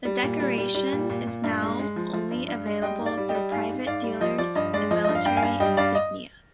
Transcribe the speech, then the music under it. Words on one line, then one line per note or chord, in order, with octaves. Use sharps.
The decoration is now only available through private dealers in military insignia.
G3
A#2
G3
G3
G3
A#2
A#2
A#2
G2
G#3
G#3
F3
F3
G2
G2
G#3
G3 D#5 G5
G#2
D5 F5
G3
D#5 G5
G3
G#2 F5 G#5
G#2
G#2 D5 F5
G3
F3 D#5
F3 D5
G2 D#5
G#3 D5
F3 D#5
G2 D#5
F5
G2 G5
F5 G#5
G2
G3 D#5 G5
G2 D5 F5
D#5